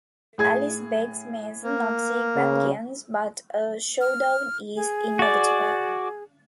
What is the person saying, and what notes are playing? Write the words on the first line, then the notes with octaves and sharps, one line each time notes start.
Alice begs Mason not seek vengeance, but a showdown is inevitable.
A2 G#4 G#6
A#3
C#3
F6
G#4
F#4 D5